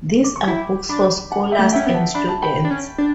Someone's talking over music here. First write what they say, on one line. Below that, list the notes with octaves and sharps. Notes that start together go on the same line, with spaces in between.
These are books for scholars and students.
D6
C#6
E4 G5 B5
D4 B5 D6
F#5 A5
E5 G5
A3
C#4 E5 G5
B3
F#5 A5
D4 B5
A5
G5 B5
D4
C#4
D4